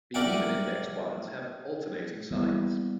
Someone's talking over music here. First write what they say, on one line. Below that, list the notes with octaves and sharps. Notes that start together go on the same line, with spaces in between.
The even-indexed ones have alternating signs.
G4 A#4 D5 E5 F#5 G5
E3 G3 A#3 B3 E4